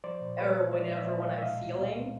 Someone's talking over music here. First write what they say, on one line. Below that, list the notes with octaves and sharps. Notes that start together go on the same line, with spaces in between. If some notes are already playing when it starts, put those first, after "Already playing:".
or whatever when I'm feeling.
F3 C5 D5
A#2
A#2 B4 C#5
G#3
F3 D5 E5
A#2
D5 E5
A#2
D#5 F5
G#3
E5
B2 D#5 F5
C#2
B3
G#3